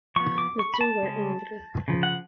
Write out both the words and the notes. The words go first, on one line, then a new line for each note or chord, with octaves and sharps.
The two were Engr.
F3 B3 C#6
D6
C#6
B5
A5
C#3 G#3 C#4
C#3 F3
F#5